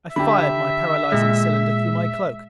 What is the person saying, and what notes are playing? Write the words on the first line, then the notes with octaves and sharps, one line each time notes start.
I fired my paralyzing cylinder through my cloak.
D3 G4 E5 B5
A#2 G#3